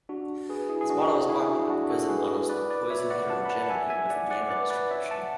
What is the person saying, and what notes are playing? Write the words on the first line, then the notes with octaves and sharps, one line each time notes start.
This model is popular because it models the Poisson heterogeneity with a gamma distribution.
D4 F#4
G#4 B4
E4 G#4
G#4
D4 F#4
D4 F#4
E4 G#4
D4 F#4
D4 F#4
F#4 A4
G#4 B4
B4 D5
B4 D5
C#5 E5
D5 F#5
F#5 A5
B5
F#5 A5
E5 G#5
E5 G#5
D5 F#5
D5 F#5
B4 D5
B4 D5
C#5 E5
F#5 A5